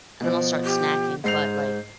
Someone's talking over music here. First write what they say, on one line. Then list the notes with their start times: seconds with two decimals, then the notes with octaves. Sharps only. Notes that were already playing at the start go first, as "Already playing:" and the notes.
and then I'll start snacking, but, like,
0.21 B2 F3
0.64 G4
1.24 G#2 C5 C7 F7